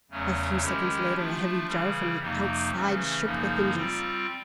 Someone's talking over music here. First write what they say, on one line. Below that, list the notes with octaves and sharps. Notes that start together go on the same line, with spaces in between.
A few seconds later a heavy jar from the outside shook the hinges.
E2 C#3 F#3 A3 C#4
D#3 G#3 C#4 E4 G4
F3 A3 D4 F4
C#3 E3 G3
F2 C3 F3 A#3 D#4
C#3 E3 A3 C#4
F#2 C#3 F3 A#3 D#4
G3 C4 F4